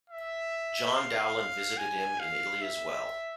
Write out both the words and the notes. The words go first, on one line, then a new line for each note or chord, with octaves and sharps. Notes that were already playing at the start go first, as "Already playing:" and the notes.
John Dowland visited him in Italy as well.
E5
F5
G#5
F5
E5